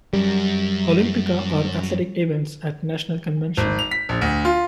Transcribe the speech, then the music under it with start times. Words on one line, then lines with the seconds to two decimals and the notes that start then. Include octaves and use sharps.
Olympika are athletic events at National Convention.
0.13 F#2 G3
3.57 G#1
3.79 F7
3.91 B6
4.09 A#1
4.21 D2
4.45 F4